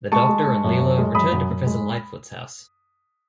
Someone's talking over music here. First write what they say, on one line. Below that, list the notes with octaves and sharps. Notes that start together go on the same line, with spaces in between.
The Doctor and Leela return to Professor Litefoot's house.
G#3 A5 C#6
G#3
G#3
F#2
F#2
G#3
F#2 B5 D#6
F#2
F#2
G#3